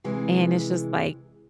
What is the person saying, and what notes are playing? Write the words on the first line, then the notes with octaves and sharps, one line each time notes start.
and it's just like,
C3 E3 G#3